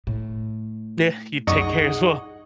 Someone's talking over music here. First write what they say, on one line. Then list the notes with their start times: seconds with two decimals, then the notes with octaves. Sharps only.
Yeah, you take care as well.
0.07 A2
1.47 C2 F#2 D#4 G#4 D5 D#5 F#5 C#6